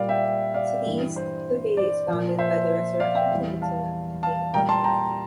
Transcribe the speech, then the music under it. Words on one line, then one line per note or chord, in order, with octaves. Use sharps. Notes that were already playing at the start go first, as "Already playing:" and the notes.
To the east, the bay is bounded by the Resurrection Peninsula and Day Harbor.
Already playing: A#2 G3 D5 F5
E5 G5
D5 F5
G2 E3 G3
C5
D5
F3
A#2
C5 E5
D5 F5
E5 G5
E2 E3 G3
F5 A5
F5 A5
A#2 G3 G5 A#5
A5 C6
G5 A#5